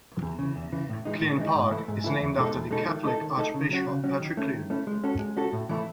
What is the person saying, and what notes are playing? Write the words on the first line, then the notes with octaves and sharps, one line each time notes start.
Clune Park is named after the Catholic Archbishop Patrick Clune.
E2
C#3 E3
E2
C#3 E3
A2
E3 G#3 D#4
A2
E3 G#3 D#4
G#2
E3 A3 E4
G#2
E3 A3 E4
E2
B2 G#3 D#4 A4
E2
B2 G#3 D#4 A4
D#3
A3 D#4 A4
D#3
A3 D#4 A4
C#3
F#3 C#4 F#4
C#3
F#3 C#4 F#4
D#3
A3 C#4 E4
D#3
A3 C#4 E4
G#3
C#4 F#4 A4
G#3
C#4 F#4 A4
A2
E3 A3 E4